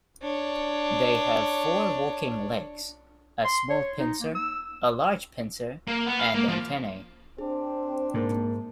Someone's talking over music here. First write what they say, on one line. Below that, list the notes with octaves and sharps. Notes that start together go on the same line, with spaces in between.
They have four walking legs, a small pincer, a large pincer, and antennae.
D4 C#5
C6
C#5
D#4
A#3
E6
A#3
B3
F5
A#3
F3
C4 D4 G#4
G#2 A#3 A#4 A5